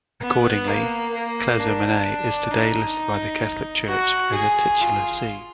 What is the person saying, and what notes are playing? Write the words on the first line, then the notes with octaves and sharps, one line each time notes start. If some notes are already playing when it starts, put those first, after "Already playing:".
Accordingly, Clazomenae is today listed by the Catholic Church as a titular see.
B3
A#3
A#3
D4
D#4
F#4
G#4
F4